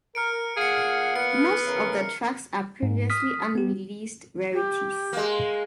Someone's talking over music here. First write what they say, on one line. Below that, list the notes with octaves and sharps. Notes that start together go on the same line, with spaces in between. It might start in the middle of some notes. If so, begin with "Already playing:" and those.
Most of the tracks are previously unreleased rarities.
A#4 F6 C#7 D7
A#2 G#4 F5 F#5 C7 C#7
B3 C#7
C#3 E3 A#4
G#2
D#6 F6 B6
B3 G4
G4
G#3 A#3